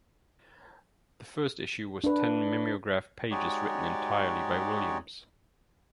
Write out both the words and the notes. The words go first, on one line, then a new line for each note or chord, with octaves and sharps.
The first issue was ten mimeographed pages written entirely by Williams.
D4 B4
G#3 D#4 F#4 G4 C#5 D5